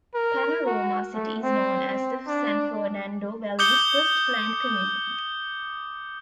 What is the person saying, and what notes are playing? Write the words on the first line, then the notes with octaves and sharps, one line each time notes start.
Panorama City is known as the San Fernando Valley's first planned community.
A#4
F#4
A3
C4
C4
D4
D6 D#6 G6 C#7 G7